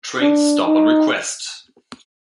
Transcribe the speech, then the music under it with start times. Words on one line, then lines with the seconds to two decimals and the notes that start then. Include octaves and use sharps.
Trains stop on request.
0.21 D4
0.67 D#4